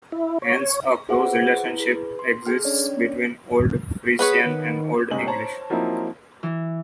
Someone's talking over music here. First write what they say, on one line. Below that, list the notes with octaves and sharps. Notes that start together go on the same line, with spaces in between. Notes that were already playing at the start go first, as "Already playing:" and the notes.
Hence, a close relationship exists between Old Frisian and Old English.
E4
C#5
F4 G#4 B4 C5 E5 F#5
E4 B4
G#4 B4
C6
G#4 A4 G5 F6
C#4 D4 C#5 D5
B3 G#4 B4 C#5
D#3
G1 C#2 C3 D#5 G#5 F#7
C5 C#5 A5 A#5
F3 F#3 A#3 C4 D#4 E4
E3